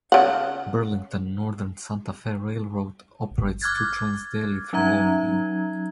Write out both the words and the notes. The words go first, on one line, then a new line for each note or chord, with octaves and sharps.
Burlington Northern Santa Fe Railroad operates two trains daily through Longview.
C#3 F#5
D6 F6 F#6 G#6 A6
F#3 C#4 D#4 E5 A#5 G#6